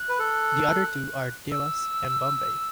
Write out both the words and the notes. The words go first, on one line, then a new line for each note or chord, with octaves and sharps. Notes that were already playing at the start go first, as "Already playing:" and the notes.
The other two are Dewas and Bombay.
Already playing: F#6
B4
A4
E6